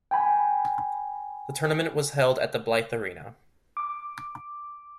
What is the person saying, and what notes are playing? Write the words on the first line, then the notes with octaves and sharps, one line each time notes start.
The tournament was held at the Blyth Arena.
G5 G#5 B5
D6